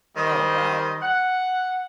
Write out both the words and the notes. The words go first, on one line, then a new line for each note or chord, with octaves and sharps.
Oh, wow.
D#3 G3 C5 D#5
F#5